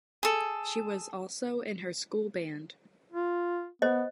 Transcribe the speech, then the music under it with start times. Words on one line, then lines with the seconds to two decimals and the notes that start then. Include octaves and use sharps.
She was also in her school band.
0.23 G#4 A4
3.12 F4
3.82 B3 C5 D#5